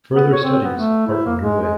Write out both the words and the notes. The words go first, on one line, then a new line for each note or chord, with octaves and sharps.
Further studies are underway.
B3
C#5
C4
B3
A3
E4
A#3
G#3
G#3